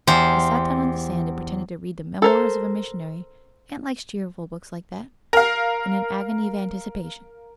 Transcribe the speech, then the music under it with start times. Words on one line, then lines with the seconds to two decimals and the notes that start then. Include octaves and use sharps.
I sat down on the sand and pretended to read the "Memoirs of a Missionary"--Aunt likes cheerful books like that--in an agony of anticipation.
0.07 E2 G4 C5
2.22 A4 A#4 C5
5.33 A#4 F5